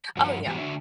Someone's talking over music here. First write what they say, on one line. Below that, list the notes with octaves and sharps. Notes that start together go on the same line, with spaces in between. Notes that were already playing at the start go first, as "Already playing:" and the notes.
Oh, yeah.
G2 F3 F#4
G#2 E3 B3 F#4 G4
D3 D4 F#4 E5